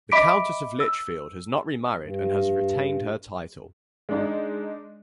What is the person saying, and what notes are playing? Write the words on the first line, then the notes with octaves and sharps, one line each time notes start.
The Countess of Lichfield has not remarried and has retained her title.
D#5 E5 B5 D6 B6 D7
E6
G2
G#3 D4 D#4